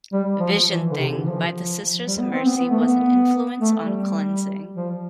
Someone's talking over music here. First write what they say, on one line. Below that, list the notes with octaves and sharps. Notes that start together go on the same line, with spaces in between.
"Vision Thing" by The Sisters of Mercy was an influence on "Cleansing".
G3
F3
F3
E3
D3
C3
D3
E3
F3
G3
B3
C4
B3
B3
A3
B3
A3
G3
F3